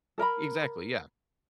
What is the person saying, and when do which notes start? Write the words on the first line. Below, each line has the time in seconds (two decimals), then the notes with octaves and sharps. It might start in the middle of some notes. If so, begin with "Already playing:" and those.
Exactly, yeah.
0.18 A4 A#4 A#5 B5